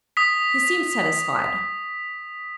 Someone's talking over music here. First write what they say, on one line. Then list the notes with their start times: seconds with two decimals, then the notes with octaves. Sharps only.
He seemed satisfied.
0.17 D#6 B6